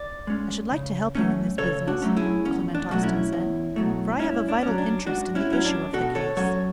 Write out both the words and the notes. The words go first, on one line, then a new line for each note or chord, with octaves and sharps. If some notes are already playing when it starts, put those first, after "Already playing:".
"I should like to help you in this business," Clement Austin said, "for I have a vital interest in the issue of the case."
Already playing: D5
G#3 C#4
C#3
F#3 A3 C#4
C#3 A4 C#5
D4 F#4
F#3 A3 C#4
E4 G#4
E2 C#4
D4
B2 F#3 A3 F#4
C#4 E4
E2
B2 F#3 A3
G#2 C#4 E4
D4
F#3 C#4
D4
G#2 D4 F#4
C#4 E4
F#3 C#4
D4
B2 F#4 A4
A4 C#5
F#3 C#4 A4 C#5